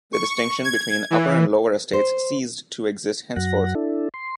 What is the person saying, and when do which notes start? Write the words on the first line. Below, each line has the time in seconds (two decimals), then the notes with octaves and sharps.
The distinction between "Upper" and "Lower" estates ceased to exist henceforth.
0.13 C#6
0.64 G#6
1.10 E3
1.93 C5
3.36 F#2 F#3 F#5 A#6
3.75 D4 E4 A4
4.14 C6